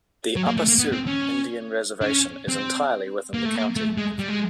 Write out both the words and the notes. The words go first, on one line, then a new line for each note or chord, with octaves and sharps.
The Upper Sioux Indian Reservation is entirely within the county.
F#3
A#3
A3
A#3
B3
C4
C#4
D4
C#4
C4
A#3
A3
A#3
A3
G#3
G3
G#3